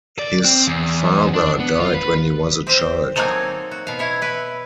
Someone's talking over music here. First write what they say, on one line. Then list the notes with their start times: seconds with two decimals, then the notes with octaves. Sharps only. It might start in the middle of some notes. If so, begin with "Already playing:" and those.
His father died when he was a child.
0.19 D5
0.45 C4
0.67 E2
1.34 D4
1.60 B3
1.80 F4
1.94 B4
2.67 C4 G4 C5
3.16 F#3 G#3 A#3 C4 D#4 A4
3.71 F#4
3.87 B2 F5
3.99 E4 C#5
4.22 E4 B4